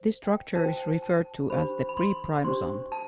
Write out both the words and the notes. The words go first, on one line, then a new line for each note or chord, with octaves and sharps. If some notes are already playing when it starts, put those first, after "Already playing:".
This structure is referred to as the pre-primosome.
Already playing: C5
G5
F4 C5 A5
G5
A5
A5
D4 G4 C5 B5
B5
C6
D4 G4 C5 C6
A5